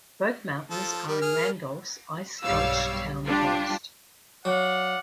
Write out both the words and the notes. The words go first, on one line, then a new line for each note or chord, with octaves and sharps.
Both mountains are in Randolph's Ice Gulch Town Forest.
F3 A4
G3 A#4
G#4 F6
B1 G2 G3 C#5 F5 E6
G3 D4 F4 G4
F#3 D5 F5 F#5